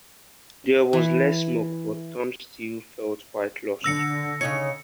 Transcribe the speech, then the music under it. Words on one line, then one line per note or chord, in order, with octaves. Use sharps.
There was less smoke, but Tom still felt quite lost.
E3
D3 E6 A#6 C#7
C#3 D#4 C#5 C#7